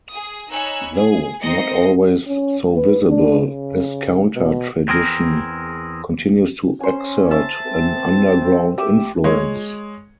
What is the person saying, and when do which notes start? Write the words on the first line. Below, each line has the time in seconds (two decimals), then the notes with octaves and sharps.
Though not always so visible, this counter-tradition continues to exert an underground influence.
0.11 G#4 D#6
0.51 D#4 C#5 G#5 B5 E6 F#6
0.95 G#4
1.43 C4 D#4 D#5 A#6 C7 C#7
2.27 C#4
2.76 B4
3.09 D4
3.45 C#3
4.36 B2
4.88 E2 C4 G#4 A#4
6.80 C#4 C5 G#5
7.31 E5 A5
7.66 C4
8.78 G4 E5
9.24 G#3 C#5